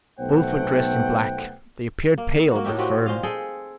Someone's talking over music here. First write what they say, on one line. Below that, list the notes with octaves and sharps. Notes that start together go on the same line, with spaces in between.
Both were dressed in black; they appeared pale, but firm.
B1 A3 B3 C5 F#5 G5
A#3
A#3 F#4
A2 D#4 G4 E5
C4 F#4 G4 B4
A#2 C5 D#5 F5
G#4 A4 D#5 G5